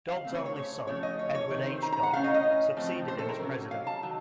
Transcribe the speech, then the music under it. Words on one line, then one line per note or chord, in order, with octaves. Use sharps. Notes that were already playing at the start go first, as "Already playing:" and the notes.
Dodd's only son, Edward H. Dodd, succeeded him as president.
F5
C#3 A3 C4
C#5
C#5
C#5
A2 F3 A3 C#4 C#5
D#5
C#5
C#5
C3 D#3 A3
C5
A#5
A#5
F#5
A2 A3 C#4 F5
D#5
D#5
A2 F3 A3 C4
C5
A4
A#4
C3 F#3 C#4
F5
A5
D#3 F#3